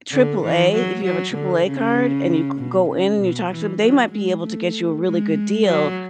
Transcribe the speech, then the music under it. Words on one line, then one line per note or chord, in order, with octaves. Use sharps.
AAA, if you have a AAA card and you g go in and you talk to 'em, they might be able to get you a really good deal
D3
E3
F#3
F#3
D3
C#3
B2
C#3
B2
E3
F#3
G#3
A3
G#3
F#3